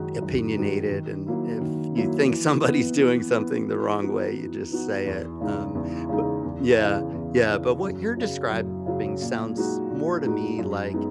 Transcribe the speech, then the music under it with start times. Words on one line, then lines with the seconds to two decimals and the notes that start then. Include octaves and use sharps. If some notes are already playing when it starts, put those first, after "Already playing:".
opinionated, and if you think somebody's doing something the wrong way, you just say it. Um, but, yeah, yeah, but what you're describing sounds more to me like,
Already playing: F#2 D#3 G#3 D#4 F#4
0.22 F#2
0.57 D#3 G#3 D#4 F#4
0.91 D#3
1.26 F#3 A#3 E4
1.61 D#3
1.95 F#3 A#3 E4
2.29 E3
2.64 B3 E4
2.99 E3
3.33 B3 E4
3.68 E3
4.03 B3 D#4 F#4
4.36 E3
4.72 B3 D#4 F#4
5.06 E2
5.41 C#3 G#3 D#4
5.75 E2
6.09 C#3 G#3 D#4
6.44 E2
6.79 C#3 E3
7.13 E2
7.48 C#3 E3
7.83 F#2
8.17 C#3 F#3
8.51 F#2
8.86 C#3 F#3
9.21 A#2
9.56 G#3 D#4 F#4
9.90 A#2
10.25 G#3 D#4 F#4
10.59 F#2
10.94 G#3 B3 D#4